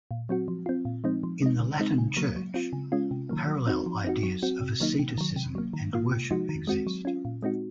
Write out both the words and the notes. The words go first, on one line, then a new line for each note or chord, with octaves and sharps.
In the Latin Church, parallel ideas of asceticism and worship exist.
A#2
F#3 C4 F#4
F3
C4 F4
A#2
F3 G#3 C4 D#4
F3
G#3 D#4
C#3
G#3 C4 D#4
C#3
F#3 A#3
F#3
C4 F4
C#3
G#3 C#4 F4
C3
D#3 F#3 A#3
F#3
C4 D#4 F#4
F3
C4 D#4 F#4
F#3
C4 F#4
C3
D#3 F#3 A#3 D#4
C3
D#3 F#3
C3
F#3 A#3
D#3
A#3 F4
C3
F3 G#3 D#4 F#4
D#3
G#3 C4 F#4
F#3
C#4 F4
A#2
G#3 C4 D#4 F#4